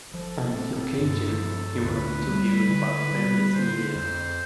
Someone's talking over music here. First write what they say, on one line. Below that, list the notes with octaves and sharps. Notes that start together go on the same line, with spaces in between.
On the occasion, he was interviewed by various media.
F3 A4
C4
G2
F3
D2 B4
G3
D3
G3
D3 C5
F2